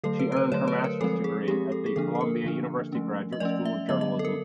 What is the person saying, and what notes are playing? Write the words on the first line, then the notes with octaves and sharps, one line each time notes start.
She earned her master's degree at the Columbia University Graduate School of Journalism.
D3 F#3 A3 A4
B4
B4
C5
D3 F#3 A3 C#5
B4
A#4
F3 G#3 C4 A4
G#4
F3 G#3 C4 G4
A4
G#4
D3 F3 A#3 D4 A4
A4
A#4
D3 F3 A#3 D4
F3 A3 C#4
D#5
F3 A3 C#4 D5
E5
D3 F#3 B3 D#5
D#5
A4
A#4